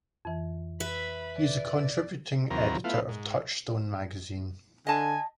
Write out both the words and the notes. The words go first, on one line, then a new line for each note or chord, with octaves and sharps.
He is a contributing editor of "Touchstone" magazine.
F2 E3
B4 E5 B5
D5
D#2 E3 F#3 C4 A#4 A#5
A3 B3 E4 F4 F5
G#2
D3 D#5 G#5 A5